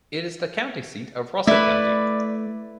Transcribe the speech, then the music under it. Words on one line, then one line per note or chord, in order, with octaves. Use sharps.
It is the county seat of Russell County.
A3 E4 B4 D5